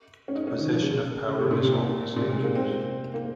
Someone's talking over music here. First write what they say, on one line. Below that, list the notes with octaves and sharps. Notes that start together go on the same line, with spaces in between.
The possession of power is always dangerous.
C#4
D#4
C#4
D#3
F3
C#3
C#3
C3
A#2
C3
A#2
A#2
C3
G#3
A#3
C4
A#3